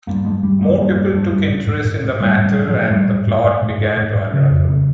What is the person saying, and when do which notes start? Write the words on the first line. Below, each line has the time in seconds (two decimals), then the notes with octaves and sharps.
More people took interest in the matter and the plot began to unravel.
0.07 G2 A#3
0.25 G2 G#3
0.43 G2 G3
0.61 G2 A#3
0.78 G2 A#3
0.96 G2
1.14 G2
1.31 G2
1.49 G#2
1.67 G#2
1.85 G#2
2.03 G#2
2.21 G#2 G3
2.38 G#2
2.44 G3
2.55 G#2
2.67 F3
2.74 G#2
2.91 G#2 G3
3.08 G#2
3.27 G#2
3.44 G#2
3.63 G#2
3.80 G#2
3.97 G#2
4.15 G#2
4.33 C#3
4.51 F2
4.69 C#3